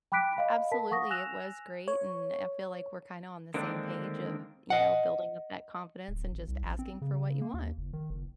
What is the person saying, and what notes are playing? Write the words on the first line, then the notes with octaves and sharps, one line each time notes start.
Yeah, absolutely, it was great, and I feel like we're kinda on the same page of, you know, building up that confidence and just asking for what you want.
G5 B5 D6 F#6 B6 D7
D#5 F5 B5
A#4 A5 B6
F5 F#5 C#6 D#6 A#6
G#5 E6 F#6 A#6 E7 F7
C#5
D3 D#3 G#3 A#3 C4 D4
D#5 F#5
D1
G#1
C2
A1
C4
C#3
A#3
D#2
F#1
D#3
F#1